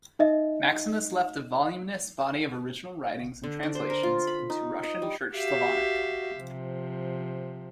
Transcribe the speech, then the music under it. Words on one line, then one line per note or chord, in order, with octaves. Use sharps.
Maximus left a voluminous body of original writings and translations into Russian Church Slavonic.
D#4 D#5 E5
D3
D4
C5
A#4
F4
B5
D#4
D#5
G3
F#4 G4 E5 F5
C3 F3